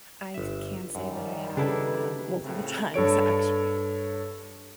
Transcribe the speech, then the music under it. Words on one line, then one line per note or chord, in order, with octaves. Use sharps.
I can say that I have, um, multiple times actually.
G1 E5
F#2 D#3 G3
C#3 D4 E4 G4 A4 B4
A2 C#3 C4
G2 A4 C#5 D7